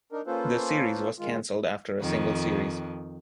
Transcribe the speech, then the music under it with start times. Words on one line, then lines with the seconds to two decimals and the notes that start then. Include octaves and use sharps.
The series was cancelled after a single series.
0.12 D4 D#4 A#4
0.27 A#3 C#4 F4 A4 B4 C5
1.19 D#3 G#3 F4
2.00 F2 D#3